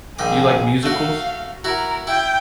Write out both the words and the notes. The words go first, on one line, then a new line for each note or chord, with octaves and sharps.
Do you like musicals?
A#1 D#3 G#4 D6
A3 F#4 F5
E4 F#4 A#4
E4 G5